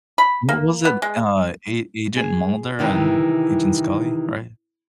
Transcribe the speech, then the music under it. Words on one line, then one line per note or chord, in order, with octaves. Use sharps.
What was it, uh, A Agent Mulder and Agent Scully, right?
B5
A#3
B3
G#3
G#4
C3 D#3 E3